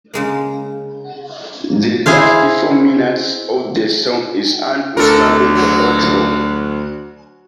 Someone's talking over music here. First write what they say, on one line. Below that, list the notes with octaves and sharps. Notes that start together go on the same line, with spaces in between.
The last four minutes of the song is an instrumental outro.
C#3 G#3 A#3
E4 G#4 C5 F5
D2 A4 A#4
F#3